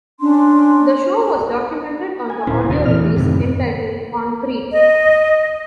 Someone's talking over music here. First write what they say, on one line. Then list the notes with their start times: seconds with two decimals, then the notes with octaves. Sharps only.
The show was documented on the audio release entitled Concrete.
0.20 C#4 D4 C6
1.14 A#4
2.30 G#5
2.47 D1 A#2 C#4 E4 C5
2.68 F1 D#2 B2
2.85 A#2 E3 C4 F6
2.99 A3
3.16 F#2 A2 C3 D#3
4.72 D#5